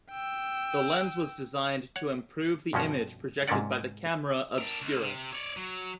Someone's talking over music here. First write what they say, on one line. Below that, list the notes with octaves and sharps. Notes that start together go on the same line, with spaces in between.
The lens was designed to improve the image projected by the camera obscura.
G5 E6
C#5 F#5
G2 B2 F3 C#4 F#4
G#2 C3 A#3 C#4 D5 F#5
D4 A#4
C#2
C3
C#5 D5
F#3